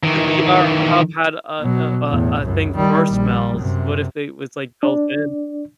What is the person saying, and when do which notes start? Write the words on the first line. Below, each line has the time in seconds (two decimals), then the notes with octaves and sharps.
if the VR hub had, uh, uh, uh, a thing for smells? What if it was, like, built in?
0.03 D#3 E3
1.60 B2 F#3
2.08 E2 A2
2.42 C#2 F#2
2.76 D#3 G3
3.08 A#1 G3
3.56 F#2 C3
4.83 D4 D5